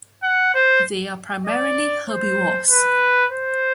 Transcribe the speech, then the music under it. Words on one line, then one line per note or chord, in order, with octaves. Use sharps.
They are primarily herbivores.
F#5
C5
D5
C5
B4
C5